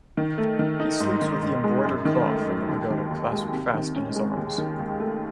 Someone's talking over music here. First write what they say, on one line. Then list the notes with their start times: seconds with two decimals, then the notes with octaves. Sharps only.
He sleeps with the embroidered cloth from the pagoda clasped fast in his arms.
0.17 D#3
0.38 A3
0.59 D#3
0.80 D#4
1.00 G#2
1.22 D#3
1.43 G#2
1.64 G#3
1.85 F#2
2.05 D#3
2.27 A3
2.48 F#3
2.68 D#2
2.90 D#3
3.10 D#2
3.32 G#3
3.53 C3
3.74 D#3
3.96 C#4
4.16 G#3
4.37 D#2
4.58 D#3
4.79 D#2
5.00 A3